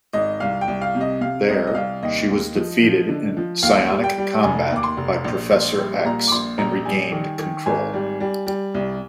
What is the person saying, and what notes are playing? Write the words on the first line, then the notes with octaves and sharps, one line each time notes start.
There, she was defeated in psionic combat by Professor X, and regained control.
G#1 D#5
C2 F5
G5
C2
F5
C3
D#5
C3 F5
C2 D#5
D#5
C2 F5
D#2 D#5
D#2
F3
F3
D3
F3
D#2 F5
G3
G5
G3
F1 G#5
D#2
D6
C6
F1
A#1
A#1
G3
A#2 A#5
D6
A#1 C6
A#1 A#5
G3 G#5
D#3
D#3
G#1 G#5
G3
G3
G3
C2